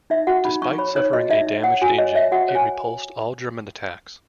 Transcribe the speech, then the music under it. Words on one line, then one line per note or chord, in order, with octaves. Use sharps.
Despite suffering a damaged engine, it repulsed all German attacks.
D#4 E5
F#4 F#5
D#4 B5
D#4 C#6
C#5 B5
D#4 C#5
F#4 D#5
D#4 E5
D#4
C#5 F#5
F#4 G#5
C#5 D#5
C#5 E5
F#4 F#5
C#5
G#5